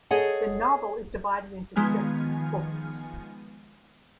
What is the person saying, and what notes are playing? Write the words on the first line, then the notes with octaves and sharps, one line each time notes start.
The novel is divided into six "books".
G#4 A4 C#5 D#5 F#5 G#5
D#3 F3 G#3 B3 G#5 F6